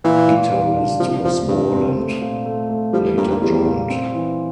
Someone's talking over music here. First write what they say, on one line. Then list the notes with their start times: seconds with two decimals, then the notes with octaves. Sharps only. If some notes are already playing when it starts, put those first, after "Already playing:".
Guitarist Wes Borland later joined.
0.04 A#2 E3
0.28 A#2
0.52 G3
0.76 D4
1.00 C3 F3
1.24 C3 F3
1.48 G2 C3
1.73 C4
1.97 A3
2.21 A#2
2.45 A3
2.69 A3
2.93 F3 G3
3.18 G2 A#3
3.30 G2
3.41 E2 G3
3.66 A#2
3.90 C4
4.14 E3